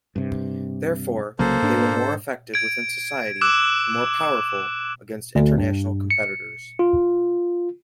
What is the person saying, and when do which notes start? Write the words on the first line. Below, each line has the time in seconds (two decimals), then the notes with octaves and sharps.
Therefore, they were more effective within society and more powerful against international competitors.
0.16 G2 C3
1.39 C2 C#3 F#3 A#3 A4 C5
1.62 G#2 D4
2.54 G#6 D7
3.41 D6 E6 F#6 E7
5.35 D2
5.58 G2
6.11 C#7
6.79 F4